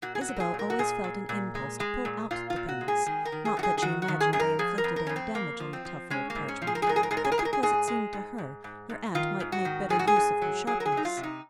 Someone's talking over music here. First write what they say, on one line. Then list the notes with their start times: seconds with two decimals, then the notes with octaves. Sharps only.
Isabel always felt an impulse to pull out the pins; not that she imagined they inflicted any damage on the tough old parchment, but because it seemed to her her aunt might make better use of her sharpness.
0.02 A#2 F#4
0.15 G#4
0.21 F#4
0.28 F#3
0.36 A#4
0.40 G#4
0.54 A#2
0.59 A#4
0.70 F#4
0.79 A#2 G#4
1.04 A#2
1.29 A#2
1.55 G#3
1.80 G#3
2.05 A#2
2.31 A#2 F4
2.50 F4
2.56 A#2
2.69 F#4
2.81 G#3
2.88 G#4
3.06 D#3 G#4
3.25 A#4
3.32 D#3
3.45 G#4
3.57 F#2 F#4
3.63 G#4
3.78 G#4
3.82 D#3 F#4
4.02 F#4
4.08 D#3
4.20 G#4
4.33 F#2 G#4
4.40 A#4
4.59 F3 G#4
4.78 A#4
4.84 F2
4.96 A#4
5.07 F2 C#4
5.16 C4
5.34 F2 A#3
5.60 F3
5.73 C4
5.85 F3
6.10 G#3 C#4
6.30 A#3
6.35 G#2
6.48 C#4
6.62 F3
6.67 G#4
6.75 A#4
6.82 G#4
6.87 G#2 A#4
6.96 G#4
7.03 A#4
7.11 G#2 G#4
7.17 A#4
7.24 G#4
7.32 A#4
7.38 G#2 G#4
7.45 A#4
7.53 G#4
7.63 G#2 G#4
7.88 G#3
8.13 G#2
8.38 G#2
8.64 G#2
8.89 G#2
9.15 D#3 F4
9.40 G#2
9.52 F#4
9.65 D#3
9.90 G#2 G#4
9.99 F#4
10.07 G#4
10.16 G#2
10.42 F#3
10.67 F#3 G#4
10.80 A#4
10.85 G#4
10.92 F#3
10.97 D#4
11.05 F4
11.17 C3
11.23 D#4